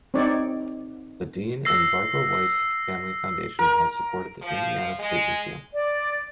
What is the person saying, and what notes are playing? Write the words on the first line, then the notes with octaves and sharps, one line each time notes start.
The Dean and Barbara White Family Foundation has supported the Indiana State Museum.
C4 D#4 C#5 D5
E6 A#6 C7
A#4
F3
G#3
D5